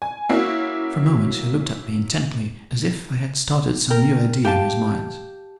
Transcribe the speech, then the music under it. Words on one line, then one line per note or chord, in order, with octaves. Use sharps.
For a moment he looked at me intently, as if I had started some new idea in his mind.
G#5
A#3 C#4 E4 F#4
A#4 G5
G4 F5 A5